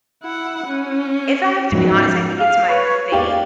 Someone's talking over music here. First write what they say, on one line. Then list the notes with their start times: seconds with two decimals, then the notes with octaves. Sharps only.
if I have to be honest, I think it's my faith.
0.23 E4 F#5
0.66 C#4
1.72 G#2 F3 F#3
2.38 F5
2.68 B4 C#5
3.12 G#2 A#3 G4 D5 F5